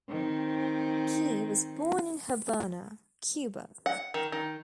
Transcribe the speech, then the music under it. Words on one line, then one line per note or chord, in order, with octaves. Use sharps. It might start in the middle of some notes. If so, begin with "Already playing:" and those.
Gee was born in Havana, Cuba.
D#3 C4
F#5
D#3
D#3